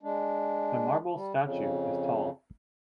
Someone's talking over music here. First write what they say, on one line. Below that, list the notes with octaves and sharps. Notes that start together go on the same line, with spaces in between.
The marble statue is tall.
G#3 D4
G3
F2 C#3